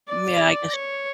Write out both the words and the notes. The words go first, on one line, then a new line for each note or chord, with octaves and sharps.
Yeah, I guess.
D5
C#5